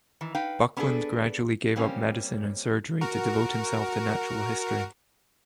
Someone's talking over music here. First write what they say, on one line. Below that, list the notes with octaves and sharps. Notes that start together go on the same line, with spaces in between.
Buckland gradually gave up medicine and surgery to devote himself to natural history.
D#3 E3
D#4 B4 F5 G5
B3 C#4 D4 F4 G#4 A4
G3 A#3 C4 C#4
F#4 A#4